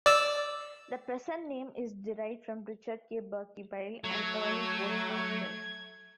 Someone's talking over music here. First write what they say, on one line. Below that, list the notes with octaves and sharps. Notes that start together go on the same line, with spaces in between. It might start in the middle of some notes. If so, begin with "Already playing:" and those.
The present name is derived from Richard K. Berkeybile, an early postmaster.
D5 E6
F#3 A3 G#6